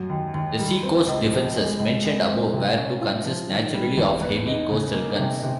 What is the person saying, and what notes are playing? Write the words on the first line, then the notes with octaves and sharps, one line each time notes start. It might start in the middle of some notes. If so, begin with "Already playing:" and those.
The seacoast defenses, mentioned above, were to consist, naturally, of heavy coastal guns.
Already playing: F#2 F#3
D#2
D#2
G3
C4
C#2
F3
G#3
C#2
G#3
C4
C3
C#4
F4
F3
D#3
G3
E2
B3
D#4
C#3
A#3
C3
C3